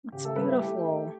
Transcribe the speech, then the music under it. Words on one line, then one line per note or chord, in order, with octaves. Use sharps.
That's beautiful.
C#3 G4
A3 A4
G3 B3 B4
E4 E5
A3 G4 G5
A3